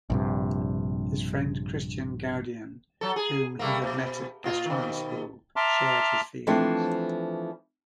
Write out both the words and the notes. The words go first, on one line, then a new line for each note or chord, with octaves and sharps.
His friend Christian Gaudian, whom he had met at gastronomy school, shared his feelings.
A#1 G2 C3
F#3 A4
G#4
G3 A3 A#3
B2
A#2 F4
B2 D#3
E5 A5 A#5 C6 D6 F6
E3 F3 A3 C4 D4